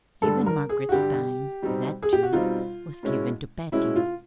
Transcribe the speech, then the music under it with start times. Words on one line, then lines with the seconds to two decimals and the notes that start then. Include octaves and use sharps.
Even Margaret's time--that, too, was given to Patty.
0.22 G2 D3 G3 A4
0.46 A#4
0.69 G#4
0.89 F#4
0.92 G2 D3 G3 G4
1.62 B2 G3 C4 D#4
2.02 G#4
2.13 G4
2.23 F#4
2.33 B2 G3 C4 D#4 F4
3.03 B2 G#3 C#4 E4
3.72 B2 G#3 C#4 E4
3.96 F4